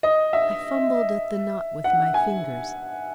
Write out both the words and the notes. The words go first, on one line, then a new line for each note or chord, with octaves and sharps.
I fumbled at the knot with my fingers.
D#5
E5
F#5
G#5